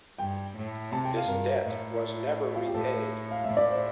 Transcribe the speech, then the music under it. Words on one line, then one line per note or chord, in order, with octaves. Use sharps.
This debt was never repaid.
G2 G5
A2
C3 A5
G5
F5
G2 A#4
A2
F4
G4
A2 A4
F5
A2 E5
D5
C5